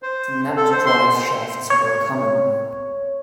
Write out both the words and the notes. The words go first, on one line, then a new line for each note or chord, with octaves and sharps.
Snapped drive shafts were common.
C5
A4
C5
C6
C#5